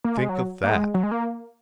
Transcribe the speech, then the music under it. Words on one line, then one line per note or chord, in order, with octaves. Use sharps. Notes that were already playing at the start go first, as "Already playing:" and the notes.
Think of that!
A#3
G#3
F#3
A#3
G#3
F#3
G#3
A#3